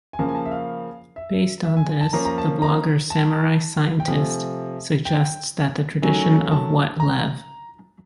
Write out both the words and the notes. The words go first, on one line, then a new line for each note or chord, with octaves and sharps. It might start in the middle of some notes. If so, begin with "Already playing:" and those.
Based on this, the blogger "Samurai Scientist" suggests that the tradition of what Lev.
G#5
C#3 F3 A#3 A5
G#5
A5
E5
F5
E5
E5
G#5
G#5
A5
F3 A#3 C#4 A#5
A#5
A5
A#5
A5
G5
C3 F3 A3 G#5
G5
D#3 F#3 A3 C#4 G#5
A5
A#5